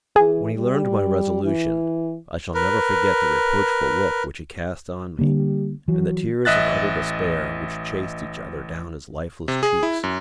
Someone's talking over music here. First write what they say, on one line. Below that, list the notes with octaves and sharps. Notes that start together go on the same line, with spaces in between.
When he learned my resolution, I shall never forget the reproachful look which he cast on me, and the tears of utter despair which chased each other down his lifeless cheeks.
E3 G#4
G3
E3
A#4 B4
D3 G3 A#3
E3 F#3
A1 D#5 E5 F#6 A6
C3
G#4
E4
F#2